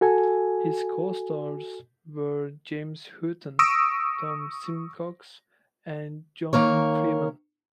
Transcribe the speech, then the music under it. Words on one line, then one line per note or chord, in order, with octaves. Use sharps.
His co-stars were James Houghton, Tom Simcox, and Joan Freeman.
F#4 A4 G#5
C#6 D#6 E6 A#6 D7
D#3 A#3 A#4 C#5